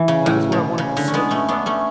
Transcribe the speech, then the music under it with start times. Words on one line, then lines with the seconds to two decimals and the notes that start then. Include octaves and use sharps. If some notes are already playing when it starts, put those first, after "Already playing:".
That is what I want to consult you about.
Already playing: E3
0.08 C#3
0.26 A2
0.52 B2
0.78 C#3
0.97 D3
1.08 C#4
1.14 G#3 B3
1.31 A3 C#4
1.48 B3 D4
1.66 A3 C#4